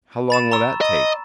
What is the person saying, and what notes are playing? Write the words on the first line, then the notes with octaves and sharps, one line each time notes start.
"How long will that take?"
B5 A6 E7
A#5 C#6 E6
D#5